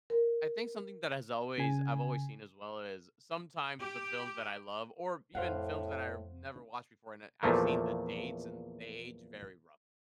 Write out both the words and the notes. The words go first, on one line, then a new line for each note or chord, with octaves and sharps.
I think something that has always I've always seen as well is, sometimes the films that I love or even films that I've never watched before, and I I've seen the dates and they age very roughly.
A#4
C#3 G#5
G4
F2 A2 C5 F5 F#5
E2 A#2 F3 A3 A#3